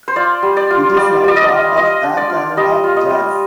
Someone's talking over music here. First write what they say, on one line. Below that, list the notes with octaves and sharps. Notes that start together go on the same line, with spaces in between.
It is now part of Air Canada Jazz.
C5
F4 D5
G3
D5
F4
G3 D5
G3 D5
D#5
F4
F4 D#5
D4
D5
F4
G3 D#5
F4
D#5
G3